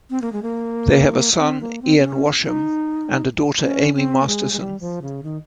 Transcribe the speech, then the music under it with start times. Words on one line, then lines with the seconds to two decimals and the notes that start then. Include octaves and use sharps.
They have a son, Ian Washam, and a daughter, Amy Masterson.
0.10 C4
0.22 A#3
0.33 G#3
0.43 A#3
1.39 C4
1.61 A#3
1.82 C4
1.99 C4
2.04 C#4
2.46 D#4
3.63 C#4
3.95 C4
4.23 A#3
4.27 G#3
4.53 G#3
4.60 G3
4.81 F3
5.02 C#3
5.23 D#3